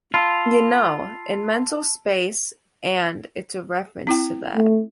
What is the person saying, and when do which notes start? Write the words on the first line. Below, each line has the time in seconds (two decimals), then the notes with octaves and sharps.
You know, in mental space and it's a reference to that.
0.14 F4 A5 B5 E6
4.07 C4 E4 G5
4.55 A3